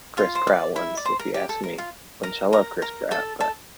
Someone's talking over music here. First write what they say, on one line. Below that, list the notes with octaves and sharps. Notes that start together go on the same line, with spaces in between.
Chris Pratt ones, if you ask me, which I love Chris Pratt, but
F4 F5
C5
D5
E4 E5
D5
C5
A#4
G4
A4
A#4
F4 F5
A#4 A#5
A#4 A#5
A#4 A#5
A4 A5
A4 A5